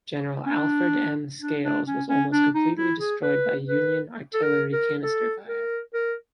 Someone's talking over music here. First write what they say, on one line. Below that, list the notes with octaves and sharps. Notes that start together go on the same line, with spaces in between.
General Alfred M. Scales was almost completely destroyed by Union artillery canister fire.
C#4
D4
D4
D4
C#4
C#4
D4
D#4
E4
G#4
B4
B4
A4
A#4
A#4
A4
A#4
A#4